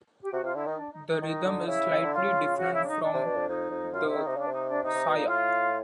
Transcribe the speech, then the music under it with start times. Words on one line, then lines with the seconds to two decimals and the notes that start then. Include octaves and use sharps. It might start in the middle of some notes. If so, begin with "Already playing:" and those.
The rhythm is slightly different from the 'Saya'.
0.22 G4
0.32 C3 F#4
0.43 C3 F4
0.55 D3 E4
0.66 D#3 D#4
0.77 D4
0.92 D#4
1.08 D#4
1.22 D#3 D#4
1.44 D3
1.67 C#3 E4
1.90 C#3
2.03 D3
2.12 C#3 F4
2.58 F#4
2.72 E4
2.84 D4
2.88 D#4
3.03 D4
3.14 C3
3.25 B2
3.36 F2
3.48 F2 D#4
3.71 F2
3.93 F#2 F4
4.04 C3 E4
4.15 D#3
4.23 C3 D#4
4.36 C#3 D4
4.47 C3
4.52 D#4
4.68 D4
4.83 C3 D#4
4.94 C3
5.06 B2
5.17 A#2
5.28 A2 F4